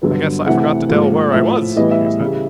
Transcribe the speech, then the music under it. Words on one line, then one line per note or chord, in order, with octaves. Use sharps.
"I guess I forgot to tell where I was," he said.
G2 D3 F#3 B3
C3 E3 A3 F#5
G#2 F3 A#3
A2 F3 A3 E5
A2 E3 G3 B3 D#5
E5
E5
C#3 E3 G3